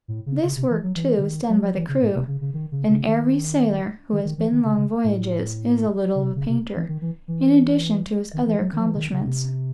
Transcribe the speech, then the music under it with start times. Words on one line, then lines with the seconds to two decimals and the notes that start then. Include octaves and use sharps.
This work, too, is done by the crew, and every sailor who has been long voyages is a little of a painter, in addition to his other accomplishments.
0.08 A2
0.26 C#3
0.44 C#3
0.56 C3
0.70 E3
0.83 F#3
0.96 E3
1.18 C#3
1.22 D#3
1.49 F#3
1.62 F#3
1.76 E3
1.88 C#3
2.02 A2
2.14 C3
2.28 C#3
2.41 C#3
2.54 D#3
2.72 C#3
2.89 C#3
3.07 D#3
4.12 D#3
4.25 D#3
4.38 E3
4.52 D#3
4.64 C#3
4.77 C#3
5.04 A2
6.15 C#3
6.22 C3
6.36 C#3
6.49 C3
6.76 E3
6.89 D#3
7.02 E3
7.28 E3
8.33 D#3
8.46 E3
8.59 F#3
8.73 D#3
8.80 F#3
8.86 E3
8.95 C#3
8.99 D#3
9.12 C#3
9.26 C3